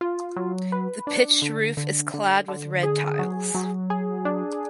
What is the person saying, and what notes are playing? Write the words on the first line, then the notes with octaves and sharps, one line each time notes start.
The pitched roof is clad with red tiles.
F4
F#3
B4
D4
D3
D3
D3
D3
G#4
F#3
F#3
G#4
D4